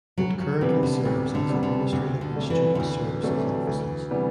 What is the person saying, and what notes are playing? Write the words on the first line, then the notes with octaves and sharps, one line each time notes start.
It currently serves as administrative and student services offices.
D2 F#3
F#3
C3 E3 G3 B3
D3
D2 C3
D3
C3 G3 B3
D3
D2 C3
D3
C3 F#3 A3 D4
E3
D3
D2 E3
C3 F#3 A3 D4
D2
C3 E3 G3 B3